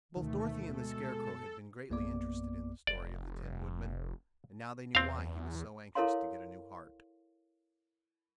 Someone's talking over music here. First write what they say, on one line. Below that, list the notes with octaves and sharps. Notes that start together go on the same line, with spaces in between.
Both Dorothy and the Scarecrow had been greatly interested in the story of the Tin Woodman, and now they knew why he was so anxious to get a new heart.
D2 B2 D#3 A3
B2 G#3 A4
A#1 F#2 A#3 B3 D5 D6
F1 D5
E2 C4 F5
E4 A4 A#4 C#5 F5 C6